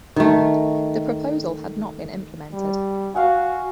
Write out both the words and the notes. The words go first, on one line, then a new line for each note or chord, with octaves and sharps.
The proposal had not been implemented.
D#3 A3
G3
F#4 F5 F#5 G#5